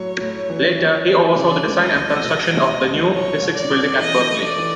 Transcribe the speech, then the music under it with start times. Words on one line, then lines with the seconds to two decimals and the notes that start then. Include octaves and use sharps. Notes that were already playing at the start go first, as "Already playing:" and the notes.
Later, he oversaw the design and construction of the "new" physics building at Berkeley.
Already playing: A2 F#3 C#5
0.21 A2
0.50 E3
0.79 E3
1.08 E3
1.37 C#3 D5
1.67 C#2
1.81 D#5
1.96 C#2
2.24 B2
2.54 C2
2.83 C2
3.13 C2 C#5
3.42 C2
3.56 D5
3.71 B2
4.00 E3 D#5
4.30 A3
4.44 D5
4.58 E3